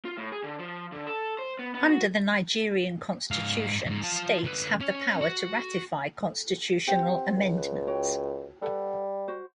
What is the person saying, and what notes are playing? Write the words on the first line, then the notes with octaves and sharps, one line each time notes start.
Under the Nigerian Constitution, states have the power to ratify constitutional amendments.
F4
A2
G#4
D3
F3
D3
A4
C5
B3
B3
F#4
G#2 F5
F2 G#2
F4 A5
D3 B4
C#4 C#5
F#4
C4 G4 F#5
C#2
B4
F#4 C#5 G5
G3 A4 B4 F#5
F#4 C5